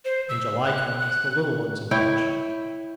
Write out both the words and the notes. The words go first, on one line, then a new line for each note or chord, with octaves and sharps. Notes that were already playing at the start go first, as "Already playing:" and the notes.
When July comes, the little ones emerge.
C5
E6
F#6
F#6
E4 C#5 G5